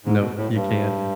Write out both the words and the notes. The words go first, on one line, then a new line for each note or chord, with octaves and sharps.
No, you can't.
G#2
B2
A2
G2